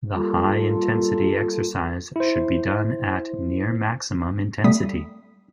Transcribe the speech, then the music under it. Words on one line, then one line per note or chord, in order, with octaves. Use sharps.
The high-intensity exercise should be done at near maximum intensity.
G3 A#3 F4 A4
E4 C5
G3 A3 D#6 B6